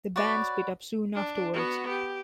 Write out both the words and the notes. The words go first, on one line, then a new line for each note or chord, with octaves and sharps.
The band split up soon afterwards.
F#4 B4 C#5 D5
D4
B3 F#4
G4